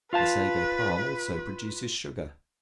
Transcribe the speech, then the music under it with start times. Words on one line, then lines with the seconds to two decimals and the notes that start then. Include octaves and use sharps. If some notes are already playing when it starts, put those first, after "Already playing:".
The Sago Palm also produces sugar.
0.13 F4 B4 F5 A5